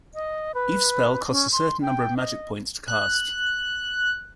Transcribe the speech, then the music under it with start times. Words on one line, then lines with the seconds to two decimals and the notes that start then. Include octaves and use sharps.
Each spell costs a certain number of magic points to cast.
0.14 D#5
0.54 B4
1.31 C#4
1.52 C6
1.82 G5
2.17 D#5
2.88 F#6